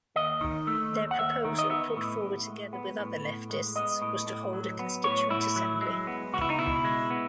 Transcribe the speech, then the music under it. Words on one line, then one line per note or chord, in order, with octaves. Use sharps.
Their proposal, put forward together with other leftists, was to hold a constituent assembly.
D#2 D#5
D#3
A3
D#2
F#5
D#2 E5
D#3
D#5
B3 E5
A2
A2
G#3
B3
A2
A2
G#3
B3 D#5
A2
A2
F#3
B3
A2 C#5
A2 E4
F#3
G#3
B3
C#2 F#4
E4
D#4
B2 E4
G#3
B3